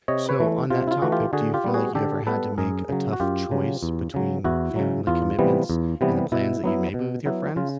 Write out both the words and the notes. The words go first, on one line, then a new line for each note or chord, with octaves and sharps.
So, on that topic, do you feel like you ever had to make a tough choice between family commitments and the plans that you made with your friends?
C3 C#5 D#5
B4 C#5
E3 A3
C3 F4
E4
F4
E3 A3 F#4
F4 G4
D3 F#4 G#4
F4 G4
G3 B3
F#4 G#4
D3 G4 A4
G3 B3 A4 B4
F#2 G#4 A#4
C#3 F#3
F#4
F#2 F4 G4
C#3 F#3
E2
C#3 F#3
E2 E4 F#4
C#3 F#3
E2 F4
C3 E3 G3 B3
E2
C3 E3 G3 B3
B2 E4
F#3 B3 E4
B2
F#3 B3 E4
C#3 F4